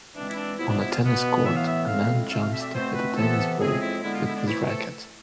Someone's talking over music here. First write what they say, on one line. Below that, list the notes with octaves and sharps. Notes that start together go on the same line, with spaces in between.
On a tennis court, a man jumps to hit a tennis ball with his racket.
E3 G#3 C4 D4
E4
D4
C3 F3 G#3 B3 E4
D4
E4
F4
B2 B3
A2 E3 B3 E5
F5
E5
A2 G#3 C4 F5
B2 A3 C4 F5
F5
E5
D5
E5
B2 A3 C4 C5
B4
C3 E3 B3 A4
A2 F3 G#3 C4 G#4
E4
D3 G#3 B3 E4
F4
E4
D4
E3 A3 C4 E4
A4